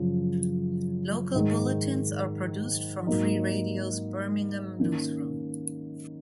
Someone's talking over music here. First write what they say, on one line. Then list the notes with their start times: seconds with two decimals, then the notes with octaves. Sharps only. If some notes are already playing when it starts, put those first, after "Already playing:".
Local bulletins are produced from Free Radio's Birmingham newsroom.
Already playing: F#2 C#3 F3
1.34 G#2 D#3 G#3
3.07 G#2 F#3 A#3 D#4
4.80 D#3 A#3 C#4